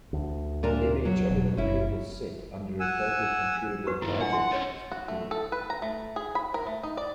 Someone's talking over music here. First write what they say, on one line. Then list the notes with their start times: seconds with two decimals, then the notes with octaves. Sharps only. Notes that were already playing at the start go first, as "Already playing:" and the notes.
The image of a computable set under a total computable bijection is computable.
0.13 D2
0.63 A#2 D4 A#4
1.05 F#3
1.29 E1 B2
1.57 F#1 C#4 E4
2.80 F#5 G#5 E6
3.87 F#4 B4 C#6
4.02 G2 D#3 E4
4.21 D4 F#5
4.33 E5 C6
4.51 C4 C#4 C#5 D#5
4.91 F#4
5.08 A3
5.31 A4
5.52 B4
5.70 A#5
5.82 A3
6.16 G#4
6.35 B5
6.54 A#4
6.67 A3
6.83 D#4
6.97 D5